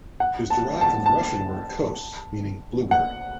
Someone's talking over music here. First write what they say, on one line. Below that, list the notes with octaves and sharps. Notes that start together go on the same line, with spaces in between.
It is derived from Russian word "kos" meaning bluebird.
F#5
A5
A5
A5
F#5